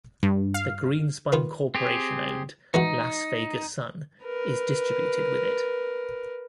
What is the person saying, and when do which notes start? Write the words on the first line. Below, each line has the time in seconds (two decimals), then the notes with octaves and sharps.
The Greenspun Corporation-owned "Las Vegas Sun" is distributed with it.
0.23 G2
0.54 F5
1.32 D#3 F4 B4
1.75 C4 G4 G#4
2.74 E3 G#3 D#4 F#4
4.24 A#4 B4